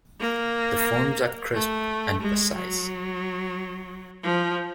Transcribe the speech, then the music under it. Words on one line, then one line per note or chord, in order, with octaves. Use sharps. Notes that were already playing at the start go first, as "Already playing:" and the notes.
The forms are crisp and precise.
A#3
A3
G#3
F#3
F3